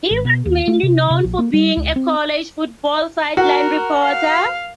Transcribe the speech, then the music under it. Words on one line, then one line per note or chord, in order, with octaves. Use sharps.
He was mainly known for being a college football sideline reporter.
G#1
B2
D#2
A3
C3
C3
A#1
A#3
G3
C#2
C4
F#4 A#4
F5